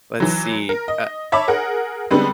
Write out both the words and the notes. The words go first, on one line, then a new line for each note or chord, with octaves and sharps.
Let's see, uh
E3 F#3
A#4
D#5
C#5 E5 A5 B5 D6
G#4 A#4 F#5
D3 G3 G#3 B3 C4